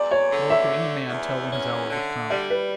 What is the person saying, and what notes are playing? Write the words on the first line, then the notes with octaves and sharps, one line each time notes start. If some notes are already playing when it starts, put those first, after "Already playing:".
Nor could any man tell when his hour would come.
Already playing: E2 D5
C#5
D3
E5
A3
E2
C#4
D3
G3 D5
B4